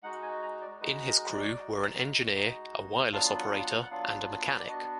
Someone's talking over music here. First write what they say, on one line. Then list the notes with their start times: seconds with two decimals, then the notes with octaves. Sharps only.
In his crew were an engineer, a wireless operator and a mechanic.
0.03 G#3 D#4 F#4 F#5
0.22 G#5
0.42 A#5
0.61 D5
0.80 G#3 D#4 F#4 B4
1.07 A#4
1.32 D5
1.59 G#3 D#4 F#4
2.35 G#3 D#4 F#4
3.12 F#3 B3 D4 F4 F5
3.39 F#5
3.59 F5
3.64 F#5
3.83 F#5
3.90 F#3 B3 D4 F4 F5
4.58 D5
4.67 B3 D4 F#4 D#5